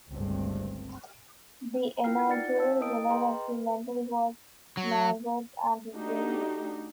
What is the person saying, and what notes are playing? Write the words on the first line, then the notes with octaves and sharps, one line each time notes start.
The inaugural winner of the medal was Norwood's Alby Green.
G1 C#2 G2 A3 C4
E4 F4 A#4 G5 F6 C7
D#4 F4 D5 F#5 A6 C#7
C#5 F5 A5 E6
E4 A#4 D#5 G5 D#6 D7
G#4 B4 D#5 G5 A#5 C6
B4
F#3
A3 D4 D#4 F#4 G4